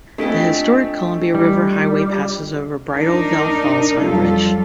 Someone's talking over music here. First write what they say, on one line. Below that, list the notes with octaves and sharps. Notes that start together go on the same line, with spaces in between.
The Historic Columbia River Highway passes over Bridal Veil Falls on a bridge.
A3 C4 D4 F4 D#5
G3
D4 D#4 A#4
F2 F#3 G3 F4 A4